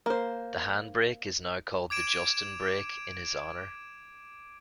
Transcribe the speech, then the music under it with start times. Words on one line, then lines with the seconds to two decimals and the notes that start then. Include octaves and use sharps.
The hand brake is now called the Justin Brake in his honor.
0.06 A#3 C5
1.90 D6 G#6 D7 E7